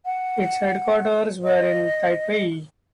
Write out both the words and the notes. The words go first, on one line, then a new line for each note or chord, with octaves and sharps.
Its headquarters were in Taipei.
F#5
D#5